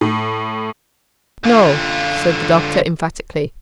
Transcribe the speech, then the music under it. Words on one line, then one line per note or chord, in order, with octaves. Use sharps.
"No," said the doctor emphatically.
A2
D3 F4